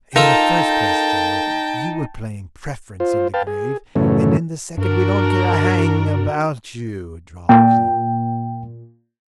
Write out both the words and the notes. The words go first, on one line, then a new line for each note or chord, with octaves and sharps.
"In the first place, General, you were playing preference in the grave, and in the second we don't care a hang about you," drawled Klinevitch.
D#4 F4 A4 A#4 G5 A5
F4 C5
B4 F5 G5 A5
G#4
F#2 A2 C#3 E3 A3 C#4
G2 D4 F#4 A#4
A#2 G5